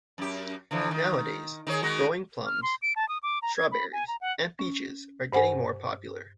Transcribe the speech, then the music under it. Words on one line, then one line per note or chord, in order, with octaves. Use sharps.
Nowadays, growing plums, strawberries, and peaches are getting more popular.
F#2 G4
D3 E3 F3
D#3
D#3 G#4 C#5
D#3 G#3 F#4
F6
C6
D7
A5
D#6
D6
A#5
G#6
B5
G#5
A#5
F#5
C#4
G2 C5 F#5 G#5